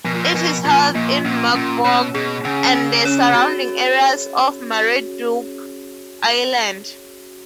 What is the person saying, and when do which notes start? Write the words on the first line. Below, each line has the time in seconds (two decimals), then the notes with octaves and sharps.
It is held in Mogpog and the surrounding areas of Marinduque island.
0.04 B2 F3
0.14 A#2
0.24 B2
0.35 B2 F3
0.65 A#2 F4
0.95 A#2 A#3
1.25 A#2 C#4
1.55 A#2 C#4
1.84 B2 C#5
2.15 B2 G#4
2.45 C#3 C#4
2.75 C#4
3.05 C#5
3.34 F#4